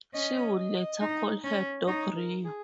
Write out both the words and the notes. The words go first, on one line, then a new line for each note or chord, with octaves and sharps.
She would later call her dog Rio.
C#4 D#5
D#4
C#4
D#4 C#5
A#4
G#4